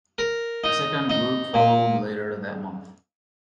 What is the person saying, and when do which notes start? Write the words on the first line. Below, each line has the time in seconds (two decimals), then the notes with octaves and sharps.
A second group followed later that month.
0.18 A#4
0.64 D#4
1.10 D#4
1.54 A#2